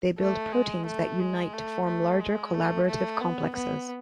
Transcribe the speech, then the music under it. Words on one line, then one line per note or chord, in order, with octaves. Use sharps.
They build proteins that unite to form larger collaborative complexes.
A3
G#3
A3
G#3
A3
A3
G#3
A3
A3
B3
B3